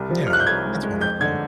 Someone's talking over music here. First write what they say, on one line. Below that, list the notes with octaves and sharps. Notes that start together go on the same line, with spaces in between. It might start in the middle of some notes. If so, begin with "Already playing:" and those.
Yeah. That's wonderful.
Already playing: C2 G3
F3
F6
C2 F#6
G6
C2 G#6
G#3
G#3
F2 G6
D3 G#6